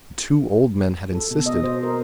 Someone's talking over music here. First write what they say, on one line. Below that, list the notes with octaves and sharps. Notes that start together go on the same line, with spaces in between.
The two old men had insisted.
A4
B2
D#5
C5
A#4